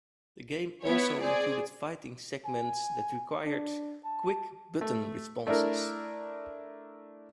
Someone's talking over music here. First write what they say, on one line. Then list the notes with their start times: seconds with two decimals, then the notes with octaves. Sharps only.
The game also included fighting segments that required quick button responses.
0.83 B3 E4 C#5
1.20 C4 G#4 D5
2.45 G#5
3.45 D4
4.05 A5
4.81 A3
5.47 A3 D4 E4 A#4